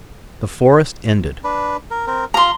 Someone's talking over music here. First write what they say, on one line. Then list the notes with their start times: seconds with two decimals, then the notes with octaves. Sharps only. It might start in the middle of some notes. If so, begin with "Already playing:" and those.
The forest ended.
1.44 D4 B4
1.91 A#4
2.07 C4 A#4
2.34 F4 A#5 C6